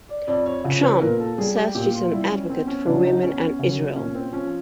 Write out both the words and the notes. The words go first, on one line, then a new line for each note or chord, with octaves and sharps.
Trump says she is an advocate for women and Israel.
D5
F2 D5
C#5
C#3 F3
B4
A#2 A#4
A4
G3 G#4
G4
A#2 G4
F4
G3 E4
C#4
E2 C4
C#4
C#3 F#3 D4
D#4
E2 C#4
C#3 F#3
A#2 C#4
C4
F3 C#4